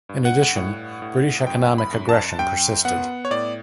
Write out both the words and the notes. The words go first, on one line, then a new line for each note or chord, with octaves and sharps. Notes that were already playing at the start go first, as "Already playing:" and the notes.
In addition, British economic aggression persisted.
G2
F#5
A2
A2
F#2 G5
B5
F#2
A5
F#2 G5
B3 F#5
C#5
A2 D5